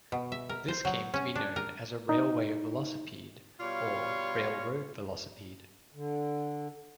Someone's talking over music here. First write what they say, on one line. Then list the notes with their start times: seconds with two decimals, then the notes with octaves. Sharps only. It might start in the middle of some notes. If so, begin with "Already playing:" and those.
This came to be known as a "railway velocipede" or "railroad velocipede".
0.12 B2
0.32 E5
0.49 A#4
0.68 C5
0.85 F#3
1.14 C#4
1.36 D4
1.56 A#4
2.09 D#4
3.60 B2 G3 F4 C#5 F5
5.94 D3